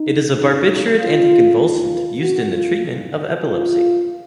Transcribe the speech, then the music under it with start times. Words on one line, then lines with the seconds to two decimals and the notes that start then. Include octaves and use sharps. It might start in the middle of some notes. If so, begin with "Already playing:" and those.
It is a barbiturate anticonvulsant, used in the treatment of epilepsy.
Already playing: D#4
0.32 F#2 D#3 D#4
0.95 F4
1.57 D#2 D#3 F4
2.19 F#4
2.50 F4
2.81 G#2 D#3
3.12 F#4
3.44 F4